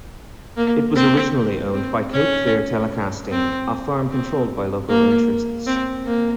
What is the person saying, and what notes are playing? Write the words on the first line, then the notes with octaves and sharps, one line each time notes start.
It was originally owned by Cape Fear Telecasting, a firm controlled by local interests.
A#3
C4
C4
C#4
C4
C4
A#3
C4
A#3